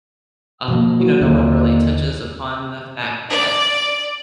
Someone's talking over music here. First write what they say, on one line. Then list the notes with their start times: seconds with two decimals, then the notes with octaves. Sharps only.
um, you know, no one really touches upon the fact that,
0.68 B2 F3 A#3
1.00 F#3
1.21 D#2 A#2 D3 D#3
3.30 D5